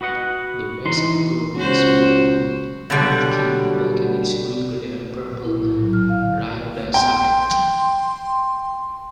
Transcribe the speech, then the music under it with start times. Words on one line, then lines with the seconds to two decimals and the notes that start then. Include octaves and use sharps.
The west of Gowrie is built on Deakin Volcanics green-grey and purple rhyodacite.
0.01 F#4 B4 D#5 F#5
0.85 E3 D#4 C6
1.55 C#2 F#4 C5
2.90 B2 D3 F#3 G3
5.30 A#2
5.45 E4
5.60 A2
5.78 F#3
5.93 F6
6.09 F5
6.22 D3
6.94 G5 C6